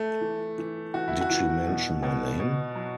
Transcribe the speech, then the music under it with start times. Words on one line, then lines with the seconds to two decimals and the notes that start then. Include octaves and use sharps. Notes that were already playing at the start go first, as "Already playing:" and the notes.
Did She Mention My Name?
Already playing: A3
0.21 E3
0.58 E3
0.94 E3 F#4
1.08 E4
1.21 F#4
1.30 E3
1.67 B2
2.03 B2
2.39 B2
2.75 F#3